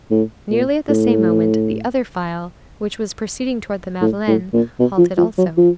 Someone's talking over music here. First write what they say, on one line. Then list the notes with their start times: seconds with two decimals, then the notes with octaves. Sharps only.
Nearly at the same moment, the other file, which was proceeding towards the Madeleine, halted also.
0.11 A2
0.51 A#2
0.89 A2
4.01 A2
4.28 A2
4.53 A#2
4.80 B2
4.98 F3
5.18 F3
5.38 F#3
5.57 F3